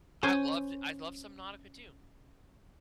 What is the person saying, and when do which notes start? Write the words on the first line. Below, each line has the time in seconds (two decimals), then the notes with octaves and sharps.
I loved I loved some Nautica too.
0.23 C#4 C5 G#5